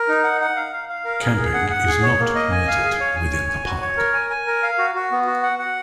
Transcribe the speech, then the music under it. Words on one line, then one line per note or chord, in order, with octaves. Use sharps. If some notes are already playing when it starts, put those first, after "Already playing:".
Camping is not permitted within the park.
Already playing: A#4
D#4
F#5
F#5
F5
F5
F5
A#4
G#4
G#4
F#5
F#5
G#4
C#5
A#3
D#5
G#5
F5
G#4
C#5
G#5
C#5
G#5
F#4
C#5
A#4
G#5
G#5
A#4
F5
F#4
F#4
B3
F#4
F#5
F#5